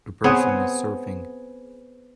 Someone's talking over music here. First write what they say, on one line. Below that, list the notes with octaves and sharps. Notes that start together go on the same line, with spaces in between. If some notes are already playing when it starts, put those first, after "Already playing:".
A person is surfing.
B3 C4 G#4 C#5